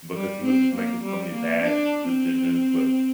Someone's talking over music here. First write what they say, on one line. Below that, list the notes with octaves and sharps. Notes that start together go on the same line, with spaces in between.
because he was just making so many bad decisions with
G3
C4
A#3
G3
A#3
D4
C4